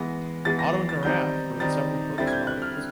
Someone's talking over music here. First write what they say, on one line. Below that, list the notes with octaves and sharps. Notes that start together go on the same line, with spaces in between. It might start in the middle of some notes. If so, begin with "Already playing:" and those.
Otto Neurath wrote several books and articles.
Already playing: E3 G#3 B3 A#6
E3 G#3 B3 A6
A#6
A6
D#3 G3 C4 D#4 G6
D#3 G3 C4 D#4 A6
D3 G3 C4 E4 A6
G#6
G6
F#6
F6
D3